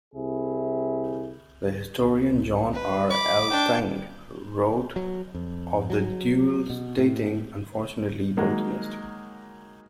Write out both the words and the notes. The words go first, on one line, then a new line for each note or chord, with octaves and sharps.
The historian John R. Elting wrote of the duel, stating, Unfortunately, both missed.
C2 C3 E4 G#4
B4
B5 D6
D4 G5
F#3
F2
F#3
B2
A2
D#3 F#3 G#3 A#3